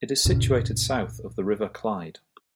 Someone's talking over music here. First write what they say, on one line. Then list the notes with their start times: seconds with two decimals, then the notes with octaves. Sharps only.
It is situated south of the River Clyde.
0.25 C2 F#2 A#2 C#3